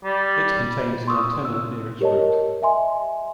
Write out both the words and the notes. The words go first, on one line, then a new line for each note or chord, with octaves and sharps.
It contains an antenna near its root.
G3
C6 C#6 D#6 E6
E6
G4 A#4 C#5 D#5 A5
D#5 E5 G#5 C6